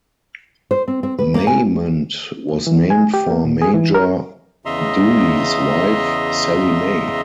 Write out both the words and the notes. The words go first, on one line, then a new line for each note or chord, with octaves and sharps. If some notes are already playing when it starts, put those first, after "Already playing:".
Maymont was named for Major Dooley's wife, Sallie May.
C5
C4
C4
B4
A#3
G#5
E3
G#5
G4
A#3
A#2
G#4
E3
A#4
E2 C#3 D#5 E5 A#5 C6